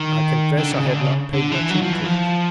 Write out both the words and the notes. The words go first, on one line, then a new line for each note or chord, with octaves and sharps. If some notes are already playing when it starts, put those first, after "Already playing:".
I confess I had not paid much heed to it.
Already playing: D#3
D3
C#3
D3
C#3
D3
E3
F#3
F3
E3
F3